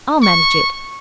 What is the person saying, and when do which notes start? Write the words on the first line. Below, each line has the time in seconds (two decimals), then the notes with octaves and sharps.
I'll manage it.
0.23 C#6